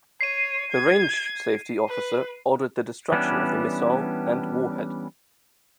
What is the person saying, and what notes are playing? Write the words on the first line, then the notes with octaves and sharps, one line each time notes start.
The range safety officer ordered the destruction of the missile and warhead.
C#5 C7 D#7
G#6
B4
E3 G3 B3 C#4 D4